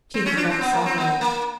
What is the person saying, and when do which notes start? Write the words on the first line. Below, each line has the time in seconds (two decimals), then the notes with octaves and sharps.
She has left sorrows.
0.14 C4
0.26 C#4
0.37 D4
0.50 C4
0.61 B3
0.73 A#3
0.86 C4
0.98 B3
1.21 A#3